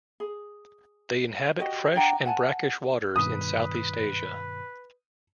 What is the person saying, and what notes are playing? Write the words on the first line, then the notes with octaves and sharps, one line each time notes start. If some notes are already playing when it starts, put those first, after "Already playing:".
They inhabit fresh and brackish waters in Southeast Asia.
G#4
F#4 G4 D#5
D4 F#5 G5 A#5
F#5 G#5 A5
G2 B2 D#3 B4 D#6